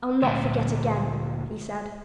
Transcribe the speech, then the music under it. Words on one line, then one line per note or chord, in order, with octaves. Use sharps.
"I'll not forget again," he said.
D2 A#2